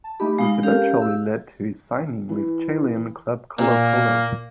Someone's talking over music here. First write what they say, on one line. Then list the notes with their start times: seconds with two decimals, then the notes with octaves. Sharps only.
This eventually led to his signing with Chilean club Colo-Colo.
0.04 A5
0.20 A3 D#4 G4 B5
0.38 G#3 D#4 F5
0.63 C#4 G4 A4 A#4 F5
1.01 E6
2.29 E3
3.59 A#2 A#3